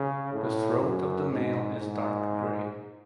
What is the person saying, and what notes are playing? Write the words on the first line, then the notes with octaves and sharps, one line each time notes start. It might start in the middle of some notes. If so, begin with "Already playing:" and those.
The throat of the male is dark grey.
Already playing: C#3
A2
F#2
G#2
G#2